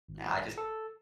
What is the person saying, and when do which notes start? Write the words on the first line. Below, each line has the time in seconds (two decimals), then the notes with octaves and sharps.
I just
0.09 G#1
0.58 A4